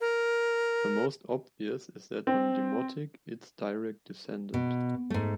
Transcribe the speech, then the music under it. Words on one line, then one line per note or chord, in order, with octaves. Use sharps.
The most obvious is that on Demotic, its direct descendant.
A#4
C4
B2
G#2 A3